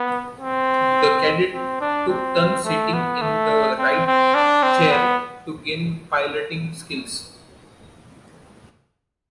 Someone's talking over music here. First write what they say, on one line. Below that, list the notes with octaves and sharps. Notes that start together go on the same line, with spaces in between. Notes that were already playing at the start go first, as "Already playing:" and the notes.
The cadets took turns sitting in the right chair to gain piloting skills.
Already playing: B3
C4
C4
D4
C4
A3
B3
A3
C4
C4
D4
C4
B3